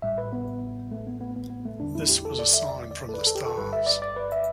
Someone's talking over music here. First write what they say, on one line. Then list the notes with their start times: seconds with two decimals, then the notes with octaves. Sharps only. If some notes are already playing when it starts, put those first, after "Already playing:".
This was an sign from the stars.
0.02 A1 A2 G3 E5
0.18 B4
0.33 B3
0.92 A3
1.07 B3
1.21 B3
1.36 B3
1.50 B3
1.65 A3
1.80 E2 D3 G3 D4
1.95 E4
2.09 G4
2.25 A4
2.39 D5
2.53 E5
2.68 D5
2.91 D5
3.09 A4
3.14 B4
3.27 A4
3.35 G4
3.46 A4
3.57 G1 G2 G3 B4
3.73 E5
3.86 D5
4.02 D5
4.16 B4
4.32 E5